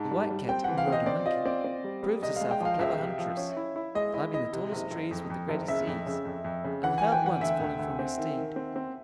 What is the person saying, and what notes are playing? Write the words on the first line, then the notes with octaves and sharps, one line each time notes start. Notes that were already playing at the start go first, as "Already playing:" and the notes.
The White Cat, who rode a monkey, proved herself a clever huntress, climbing the tallest trees with the greatest ease, and without once falling from her steed.
Already playing: G#2 A5
G3
G3
C4 G5
E3 F#5
F5
C4 D#5
C4 D5
F4 D#5
C4 D5
C4
G3
G3
C3 D#5
F5
G#3
G5
F3
F5
C#2 E5
C3
F3
C#4
E4
E4
G#3 D#5
E4 D#5
E4 D#5
C3
F#1
F#1
F2
F2
F#1
C#3 E5
F2
C#3
F2
F2
C#3
E3 F#5
E3 G#5
G5
E3 F#5
D2 E5
D2
D2
C4
D#3
D#3
C4
C4